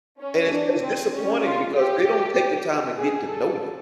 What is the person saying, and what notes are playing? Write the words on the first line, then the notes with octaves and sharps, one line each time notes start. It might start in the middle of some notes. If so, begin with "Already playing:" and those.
And it's it's disappointing because they don't take the time to get to know you.
C#4
D4
C4
C#4
F4
G4
G#4
A4